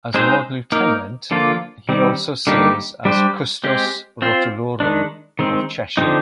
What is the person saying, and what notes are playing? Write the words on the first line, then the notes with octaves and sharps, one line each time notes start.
As Lord Lieutenant He also serves as Custos Rotulorum of Cheshire.
G#3 C4 D#4 G#4 C5
A#3 D#4 A#4
D3 F3 A#3 F4
D#3 G3 C4
D3 G3 A#3 D#4 G4
G3 D4 G4 C5
G#3 C4 G4
C4 F4 C5
D#3 G#3 D4
D#3 G#3 C4
D3 F3 G#3 C4 D#4